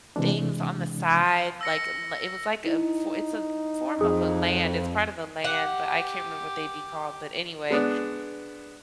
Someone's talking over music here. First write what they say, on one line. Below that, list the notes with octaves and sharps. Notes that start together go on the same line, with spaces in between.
things on the side, like, it was like a it's a form of a land It's part of the land, but I can't remember what they'd be called, but, anyway
C3 E3 G#3 D4
E6 A#6 C#7
D#4 E4
F2 G#4 D#6
G4 F#5
G#3 B3 D4